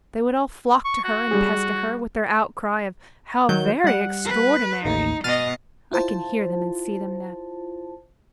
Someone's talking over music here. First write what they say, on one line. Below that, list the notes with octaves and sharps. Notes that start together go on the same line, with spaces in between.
They would all flock to her and pester her with their outcry of 'How very extraordinary!' I can hear them and see them now.
C#6
F#4
G3 G#4
D#3 F#3 G6
G3 F#5
B4
A1 D#2 D#4
B2 D#5 F6 A6 D#7
E4 F4 C5 A5